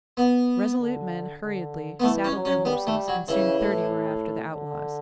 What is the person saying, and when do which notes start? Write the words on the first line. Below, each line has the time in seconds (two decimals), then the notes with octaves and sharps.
Resolute men hurriedly saddled their horses, and soon thirty were after the outlaws.
0.17 B3
0.80 D3
1.42 D3
2.00 B3
2.03 E3 A3
2.24 C#4
2.35 F#3
2.45 C#4
2.65 G3 B3
2.87 A3
3.08 F#3
3.28 C#3 E3
3.60 A2
4.52 D3